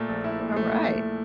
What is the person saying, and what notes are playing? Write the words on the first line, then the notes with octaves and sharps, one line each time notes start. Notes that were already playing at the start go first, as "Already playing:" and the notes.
All right.
Already playing: A#2 A3
A#1
E4
A#2
A3